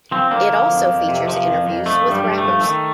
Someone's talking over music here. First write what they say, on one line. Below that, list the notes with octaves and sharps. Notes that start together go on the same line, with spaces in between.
It also features interviews with rappers.
F3 C4
D3 A#3
F3
F2
F2
C3
F3
F2
F2
F3 A3
G2
G3
G2
A3
F3
D#3 A3